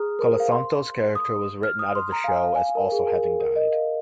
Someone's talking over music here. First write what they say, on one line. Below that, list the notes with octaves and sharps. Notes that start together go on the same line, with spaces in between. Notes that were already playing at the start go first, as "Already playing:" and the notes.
Colasanto's character was written out of the show as also having died.
Already playing: G#4 A#5 D#6 F6
A#4
C5
F5
C6
D#6
F6
D#6
C6
A#5
F5
G#5
F5
G#5
F5
A#4
G#4
A#4
G#4
A#4
D#5
F5